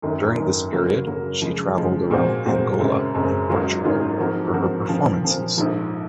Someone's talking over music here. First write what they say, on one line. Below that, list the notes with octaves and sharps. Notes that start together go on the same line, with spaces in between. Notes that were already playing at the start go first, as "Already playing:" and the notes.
During this period, she travelled around Angola and Portugal for her performances.
F#1 F#2 D#3
F#1 F#2 D#3
C#3 F#3 A#3
C#3 F#3 A#3
C#3 F3 G#3
C#3 F3 G#3
A#2 G#3 C4 F#4 C5
A#2 G#3 C4 F#4 C5
F#1 F#2 C#3 G#3 C4
F#1 F#2 C#3 G#3 C4
G#1 G#2 F#3 C#4 F4
G#1 G#2 F#3 C#4 F4
G#2 F3 C4 F#4 A#4
G#2 F3 C4 F#4 A#4
A#2 F3 C4
A#2 F3 C4
A#1 G#2 F3